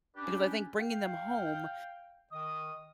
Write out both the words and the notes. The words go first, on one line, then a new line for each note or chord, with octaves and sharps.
Because I think bringing them home
C#4 D4 G4 B4 D5
F5 G5
D#3 D#5 D#6